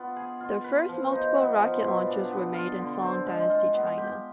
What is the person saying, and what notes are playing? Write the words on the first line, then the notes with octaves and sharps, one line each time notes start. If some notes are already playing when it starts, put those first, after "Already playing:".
The first multiple rocket launchers were made in Song dynasty China.
Already playing: B3 F4
G#4
F4
B4
F3
D#4
B3
F3
B2
D4
B3
F4
D3
C4
G#3
F4
B3
G4